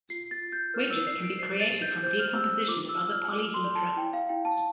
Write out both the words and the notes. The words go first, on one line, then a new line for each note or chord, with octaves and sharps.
Wedges can be created from decomposition of other polyhedra.
F4 C7
A6
F4
G6
A#4 F6
E6
D5 C7
D7
C5 C7
A6
G4
G6
C5 G6
F6
G4 E6
E6
F4 D6
E6
F4
F6
A4 D6
C6
D5
A5
E4 G5
F5
E4 G5
A5